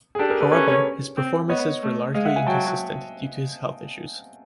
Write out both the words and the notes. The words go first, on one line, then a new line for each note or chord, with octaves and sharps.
However, his performances were largely inconsistent due to his health issues.
G#4
D4 G4 A4
G#4 A#4
A4 B4
C#4 B4 C#5
B4 C#5
C4
B3 C#5 D#5
A3
G#3 D#5 F5
E5 F#5
F#5 G#5
F#3 G5 A5